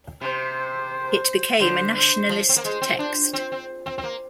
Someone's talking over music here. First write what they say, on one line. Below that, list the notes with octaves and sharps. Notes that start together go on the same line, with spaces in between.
It became a nationalist text.
C3 C5
D3 C5
C5
F3
C4
A#3
G#3 C5
C4
D4 C5
C4 C5
C4
C4
C4
A#3